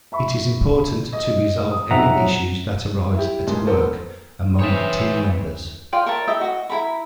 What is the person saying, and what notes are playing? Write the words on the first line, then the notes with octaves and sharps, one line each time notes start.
It is important to resolve any issues that arise at work among team members.
E5 B5 C#6
D#5
D#6
B1 F2 E5 F#5 A#5
F#3
E4 G4
G2 A#2 G#3
A#3 B3 A4 A#4 C5
E3 G#4 C5 C#5 E5 G5
F4 D5 G5
A#4 C#5 E5 A5
E4 G4 D#5 E5
F#4 D#5
E4 A4 A#5 B5